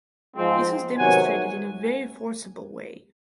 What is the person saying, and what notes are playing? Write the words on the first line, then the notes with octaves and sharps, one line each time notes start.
This was demonstrated in a very forcible way.
G#2 F3 G#3 C4
C3 D#3 F#3 B3 F#5 G#5